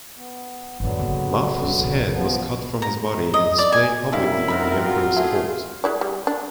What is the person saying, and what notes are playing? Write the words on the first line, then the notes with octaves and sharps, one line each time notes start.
Mahfuz's head was cut from his body and displayed publicly in the Emperor's court.
B3
G#1 F2 D3 F#3 B3
C#3 A#3
G2
B1 E2
F3 B3
A#5
D#5
D5
G#5
F#2 C3 G3 G#3 D#4 E4 F5
B3 C4 D#4 A#4 B5
F4 F#4
A3 C4 E4 G#4
G#3 E4 D5
G3
D4